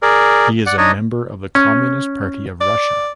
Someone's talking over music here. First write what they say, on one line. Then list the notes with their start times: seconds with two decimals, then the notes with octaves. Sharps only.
He is a member of the Communist Party of Russia.
0.02 G#4 A#4 D5
0.66 D5 F#5
0.78 D4 D#4 C#5 D#5
1.55 C#4
2.61 D5